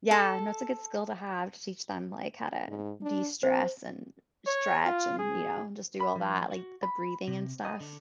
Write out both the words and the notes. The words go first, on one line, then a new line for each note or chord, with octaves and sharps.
Yeah. No, it's a good skill to have to teach them, like, how to destress and stretch and, you know, just do all that, like, the breathing and stuff.
A4
G#2
D4
C4 C5
C#5
F4
G#4
B5
F3
F#4
B5
C3
D#5
D3